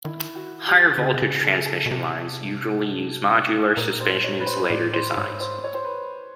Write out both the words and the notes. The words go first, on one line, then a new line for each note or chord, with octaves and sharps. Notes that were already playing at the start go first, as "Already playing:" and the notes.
Higher voltage transmission lines usually use modular suspension insulator designs.
D#3 E4
F#4
G4
D3 G#4
C#3
C3
C#3
A4
G#4
A4
B2
C3
A#2 A#4
C5
C#5
B4
C5
A2 D5
C5
G#2 C#5
C5
C#5
C5
B4